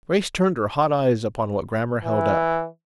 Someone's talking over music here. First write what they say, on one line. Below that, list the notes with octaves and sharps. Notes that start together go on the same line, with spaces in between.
Grace turned her hot eyes upon what Grammer held up.
E3